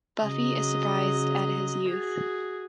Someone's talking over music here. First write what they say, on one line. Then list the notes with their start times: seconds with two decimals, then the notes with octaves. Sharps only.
Buffy is surprised at his youth.
0.24 C#3 F#3 D#5
1.89 F#4 G#4